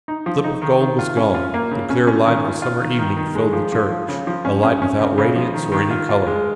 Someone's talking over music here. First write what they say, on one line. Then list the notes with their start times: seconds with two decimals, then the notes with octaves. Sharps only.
The slip of gold was gone, the clear light of a summer evening filled the church, a light without radiance or any colour.
0.08 D#4
0.26 F3
0.44 D#4
0.62 D#3
0.80 D#3
0.99 F4
1.17 C#4
1.35 F4
1.54 A#3
1.71 C#3
1.90 C#4
2.07 C#4
2.26 D#3
2.44 F4
2.62 F4
2.81 D#3
2.99 D#3
3.17 D#3
3.35 G#3
3.53 F3
3.72 F3
3.90 F3
4.08 C#3
4.27 F3
4.45 C#4
4.63 C#4
4.82 C#4
4.99 C#3
5.18 C#3
5.36 F3
5.54 D#3
5.72 D#3
5.91 F4
6.09 F4
6.27 G#3